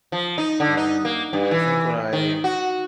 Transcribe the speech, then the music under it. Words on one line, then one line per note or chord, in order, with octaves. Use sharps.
And, I think when I
F3
D#4
D3
D#4
A#3
G2
E3
D#3
F#4